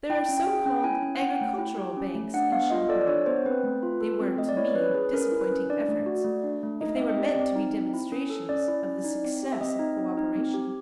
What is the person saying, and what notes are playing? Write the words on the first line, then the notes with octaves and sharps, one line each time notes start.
There are so-called agricultural banks in Champaran. They were to me disappointing efforts, if they were meant to be demonstrations of the success of co-operation.
E4 G5
C#4
G5
G#4
C#4 G5
E4 G#5
C#4
F#5
C#4 G5
A3
E4
G4
C#4
A3
D4 F#5
B3 F5
F4 D#5
A4 D5
D5
D4 C#5
B3 C5
C4 B4
A3
F4
A4
C4
A3 D#5
D5
E4 C#5
C#4 B4
G#4 B4
C#4 A#4
E4
B4
C#4
D4 D5
A3
F#4
A3
D4
A3
D#4 D#5
C4 E5
D#5
G4 D5
C4
D#4
C4
E4
C#4
A4
C#4 D5
E4
C#4
D#4
C4
G4
E5
C4 D#5
D#4
C4
D#4
C4
G4